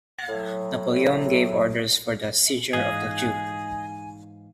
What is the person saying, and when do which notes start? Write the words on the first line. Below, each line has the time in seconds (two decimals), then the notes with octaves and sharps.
Napoleon gave orders for the seizure of the duke.
0.29 A2 F#3
2.73 G#2 E3 G#4 D#5 F5 G#5